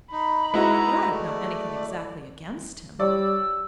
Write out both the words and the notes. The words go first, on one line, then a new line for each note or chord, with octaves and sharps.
"But I don't know anything exactly against him."
D#4 B5
G#3 D#4 E4 F#4 B4 A#5
A3 D5
G3 C#5 D5 E6